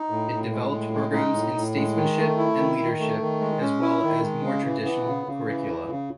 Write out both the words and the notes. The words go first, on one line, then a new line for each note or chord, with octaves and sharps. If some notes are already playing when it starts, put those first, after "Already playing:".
It developed programs in statesmanship and leadership, as well as more traditional curricula.
Already playing: D#4
A2
A2
G#3
A2
G#3
D#4
A2
A2
G#3
D#3
A3
E4
D#3
D#3
A3
D#3
G#3
C#4
E4
D#3
G#3
C#3
E3
B3
C#3
C#3
E3
E2
C#3